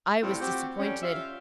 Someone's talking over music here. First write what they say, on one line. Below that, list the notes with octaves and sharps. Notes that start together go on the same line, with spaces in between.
I was disappointed.
A2 G3 C4 F4
C4 F#4 G4
F2 G3 C#4
F4 E5